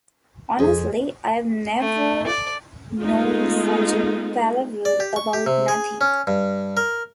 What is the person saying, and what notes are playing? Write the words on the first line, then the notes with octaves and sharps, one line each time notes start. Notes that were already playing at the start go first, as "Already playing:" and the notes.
Honestly, I've never known such a palaver about nothing.
F2 G#4 C5
A3
D5
G#3 A3 B3 D#4 F4
D5
G4
C#6
G4
C3
G#4
C#4
G2
A#4